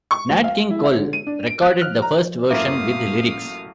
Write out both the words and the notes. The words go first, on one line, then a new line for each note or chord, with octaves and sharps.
Nat King Cole recorded the first version with lyrics.
C#6
D2
F5
E4
E5
D3
D#7
D4
D7
F#6
F6
A#5
A1 F#2 A#3 F4 E5 F5 D6 D#6